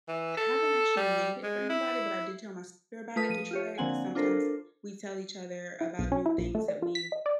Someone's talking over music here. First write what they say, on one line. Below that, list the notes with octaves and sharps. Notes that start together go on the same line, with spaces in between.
I haven't actually made it for anybody, but I did tell my sister about it to try it 'cause sometimes we tell each other about new things that we've
E3
A4
G3
G#3
E4
A3 F4 B4 D#6 B6
F3 D#7
F4 G4 C#5
D3 F3 A#3 C4 F#5 G#5
D4 F4 A4 A#4 C5
E4
B1
C#4
E4
A#1
A3
D5
F4
B6
D#5
D5